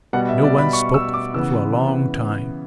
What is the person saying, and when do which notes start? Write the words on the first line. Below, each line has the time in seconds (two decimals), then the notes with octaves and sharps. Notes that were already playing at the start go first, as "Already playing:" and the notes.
No one spoke for a long time.
0.13 B2 G3 B3 F#5
0.29 E5
0.44 D5
0.58 B5
0.73 C#6
0.94 E6
1.14 D6
1.34 C#3 E3 B3 E6